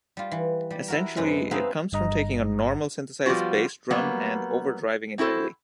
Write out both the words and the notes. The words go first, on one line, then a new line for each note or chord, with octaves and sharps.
Essentially, it comes from taking a normal synthesized bass drum and over-driving it heavily.
G3 F4
E3
G3
E4 F#4 A#4
F#2 C3 G#3 C#4 B4
B3 C4 D#4 G#4 E5 F5
G1 G2 D#5 A#5
F3 G3 B3 F4 F#4
F#3 G3 A#3 B3
C4 E4 F#4 A4 C5